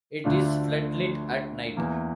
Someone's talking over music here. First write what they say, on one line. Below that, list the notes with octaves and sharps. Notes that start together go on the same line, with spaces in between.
It is floodlit at night.
D2 D3 A3 D4 F4
E2 E3 A#3